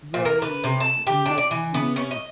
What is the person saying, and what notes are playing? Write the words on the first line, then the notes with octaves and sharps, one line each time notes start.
really m makes me
A#2
A#4
B4
C3
A5
G4
D4
D5
E3
B3
C#4
D#5